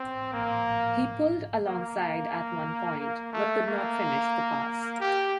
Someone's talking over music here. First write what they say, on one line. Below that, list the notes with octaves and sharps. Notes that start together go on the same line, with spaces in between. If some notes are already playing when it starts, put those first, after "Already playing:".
He pulled alongside at one point, but could not finish the pass.
Already playing: C4
A#3
A#3
A#3
A3
A#3
G4